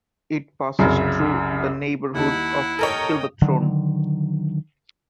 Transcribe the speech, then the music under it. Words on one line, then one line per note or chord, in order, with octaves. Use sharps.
It passes through the neighbourhood of Silverthorne.
C2 F#2 C#3
D#2 D#4 E4 F#5 A5
A4 A#4 C#5 D#5 G5
D3 D#3 F#3